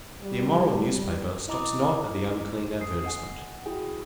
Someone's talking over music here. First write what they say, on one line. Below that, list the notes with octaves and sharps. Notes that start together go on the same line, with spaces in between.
The immoral newspaper stops not at the unclean advertisement.
G3
E4 D#5 A#5 D6 D#6
G#5 D#6 C7
D#5 F#5 G#5
E4 F#4 G#4 G5 G#5